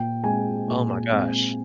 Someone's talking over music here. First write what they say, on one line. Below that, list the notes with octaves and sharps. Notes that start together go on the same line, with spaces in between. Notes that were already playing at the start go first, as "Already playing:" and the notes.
Oh my gosh.
Already playing: A#2 G5
G#3 C4 G#5
A#2
G#3 C4